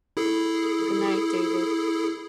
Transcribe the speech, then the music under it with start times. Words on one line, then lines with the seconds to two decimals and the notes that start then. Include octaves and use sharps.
Good night, David.
0.17 E4 G#4 A4